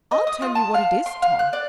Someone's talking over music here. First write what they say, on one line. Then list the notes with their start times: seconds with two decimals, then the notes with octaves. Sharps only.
"I'll tell you what it is, Tom."
0.11 D#5
0.27 D#6
0.42 F4
0.55 A5
0.74 F5
1.06 C6
1.22 F5
1.39 F#6
1.53 D5